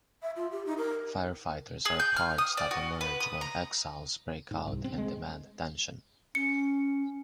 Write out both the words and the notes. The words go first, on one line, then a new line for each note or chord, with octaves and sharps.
Firefighters are parts that emerge when exiles break out and demand attention.
E5
F4
G4
D#4
A#4
G#4
G6
F6
D#6
D5
F#4
B4
D#6
A#5
G#2
C2
C4
G#3
C#4 C#7